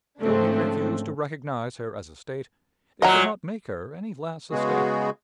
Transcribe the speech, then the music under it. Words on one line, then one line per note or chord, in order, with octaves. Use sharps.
Though he refused to recognize her as a State, it did not make her any less a State.
G#2 C#3 F3 A3 C4 D4
A#2 F#3 D#5 F#5 A#5
C#3 G#3 B3 F#4 G#4